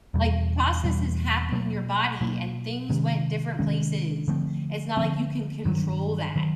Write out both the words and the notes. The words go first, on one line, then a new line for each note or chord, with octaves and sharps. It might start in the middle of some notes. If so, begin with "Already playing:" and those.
Like, processes happen in your body and things went different places, it's not like you can control that.
E2 B2 G3
E2 B2 G3
B2 F#3 A#3
B2 F#3 A#3
C3 D#3 G#3 C#4
C3 D#3 G#3 C#4
D3 F3 A3 C4
D3 F3 A3 C4
G2 D#3 F#3
D#3 F#3